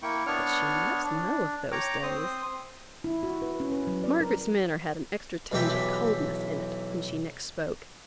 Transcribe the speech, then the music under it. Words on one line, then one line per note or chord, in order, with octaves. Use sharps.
But she must know of those days.' Margaret's manner had an extra tinge of coldness in it when she next spoke.
A#3 E4 G5 C#6
B3 D4 C#5 C#6 F6
D4
C#5 G5 A#5 D6
C4 C5 D#6
E4
F#4
B4
C#4
B4
F#3
D5
A#4
B1 E3 G4 E5